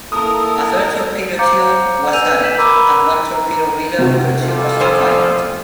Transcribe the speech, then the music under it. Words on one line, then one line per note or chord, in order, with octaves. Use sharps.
A third torpedo tube was added, and one torpedo reload per tube was provided.
A#3 E4 A4 A#4 D#6
C5 F5 A#5 D6 G6 C#7
B4 G#5 E6 G6 D#7 F7
B6 E7 F#7
A#4 A#5 B5 D6 E6 D#7
A#5
C3 F#4
G3 F4 A4
F2 C5 G#5